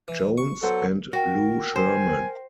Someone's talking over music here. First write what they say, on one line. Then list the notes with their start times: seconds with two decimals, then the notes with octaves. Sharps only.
Jones, and Lou Sherman.
0.08 E3
0.38 C#6
0.63 F#3 B3 A4 C5 F#5
1.13 F#4 A#4 G5 A#6
1.76 C5 G#5